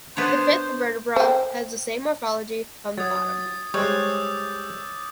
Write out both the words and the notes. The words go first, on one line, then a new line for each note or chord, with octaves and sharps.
The fifth vertebra has the same morphology from the bottom.
B3 D4 C5 C#5
C5 G5
F#3 D#6 G#6 A6
G3 G#3 C5 C#5 D6 E6 G6